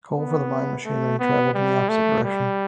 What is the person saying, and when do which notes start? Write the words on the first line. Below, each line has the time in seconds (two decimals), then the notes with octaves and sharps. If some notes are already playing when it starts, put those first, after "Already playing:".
Coal for the mine machinery travelled in the opposite direction.
0.16 B3
0.85 A3
1.19 B3
1.54 G3
1.89 A3
2.24 G3